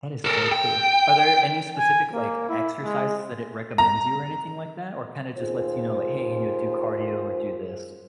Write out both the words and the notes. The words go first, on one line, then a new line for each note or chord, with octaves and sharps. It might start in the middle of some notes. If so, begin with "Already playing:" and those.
That is so cool. Are there any specific, like, exercises that it recommends you or anything like that or kinda just lets you know like, "Hey, you know, do cardio or do this?"
A4 A#4
G5
G#5
A#3
E4
G#3
A#5
D#2 F4 G#4 C5